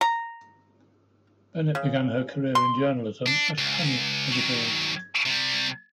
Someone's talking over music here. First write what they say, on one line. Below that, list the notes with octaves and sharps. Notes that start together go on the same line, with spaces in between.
Bennett began her career in journalism at "Honey" magazine.
A#5
C#3
C6
D4
C#2
D#3 F#3
C3 G3